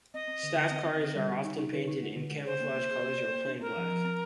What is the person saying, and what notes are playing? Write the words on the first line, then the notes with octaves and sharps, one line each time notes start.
Staff cars are often painted in camouflage colours, or plain black.
C4 D#5
C4
D3
D3
C4
C4
D3
G3
G4
D#4
D#4
D3
D#4
G#3
D3
G#3
G#4 C5
A#3
A#3
G#4
A#3
D5
A#3
D4
C4 A#4
F3
F3
C4